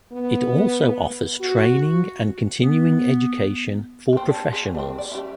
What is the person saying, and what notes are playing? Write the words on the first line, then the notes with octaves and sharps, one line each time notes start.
It also offers training and continuing education for professionals.
B3
F#4
B3
G3 C4
D4
G#4
G3 C4
D5
G3 C#4 E5